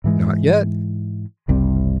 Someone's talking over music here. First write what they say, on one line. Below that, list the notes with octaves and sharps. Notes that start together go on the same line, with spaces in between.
"Not yet."
G#2 E3 G#3
F#1 C2 G3 C4